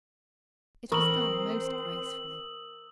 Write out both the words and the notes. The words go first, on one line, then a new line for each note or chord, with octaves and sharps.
It was done most gracefully.
E3 C4 A#4 C5 C#6 D#6 E6 F#7